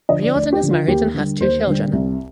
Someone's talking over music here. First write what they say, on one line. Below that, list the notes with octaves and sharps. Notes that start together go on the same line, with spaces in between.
Riordan is married and has two children.
D3 F3 D#5
D5
D2 D5
G4
D3 F3
F4
D#2 G4
D3 G3
D#2 C5
D3 G3
C2